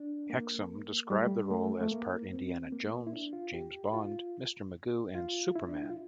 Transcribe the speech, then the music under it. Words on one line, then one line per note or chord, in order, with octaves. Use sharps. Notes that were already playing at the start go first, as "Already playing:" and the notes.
Hexum described the role as part Indiana Jones, James Bond, Mr. Magoo, and Superman.
Already playing: D4
A#3
G3
A3
G3
A3
A3
A#3
C4
A#3
E4
D4
F4
G4
F4
F4
E4
D4
E4
F4